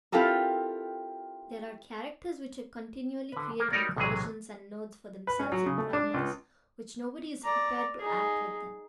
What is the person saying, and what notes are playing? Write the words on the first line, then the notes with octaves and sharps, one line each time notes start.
There are characters which are continually creating collisions and nodes for themselves in dramas which nobody is prepared to act with them.
C4 E4 F4 G4 A4 A#4
D3 B4
A#3 A#4
G3 D#4 F#4 A#4 C#5 D5
B1 A2 C3 E3 F#3 G#4
B4
C#4
F#3
C#3
A3
D4
C#2
D5 A#5
D#4 G#4